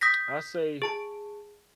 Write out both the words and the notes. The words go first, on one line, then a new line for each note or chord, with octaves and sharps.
I say
D#6 G6 A#6 B6
G#4 A5 D7